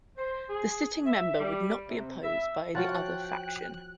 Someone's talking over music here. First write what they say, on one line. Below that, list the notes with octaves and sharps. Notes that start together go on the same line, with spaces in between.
The sitting member would not be opposed by the other faction.
C5
G#4
E5
G3
C3
E5
F3 F4 F#4 C#5 F#5 G5 F#6 A6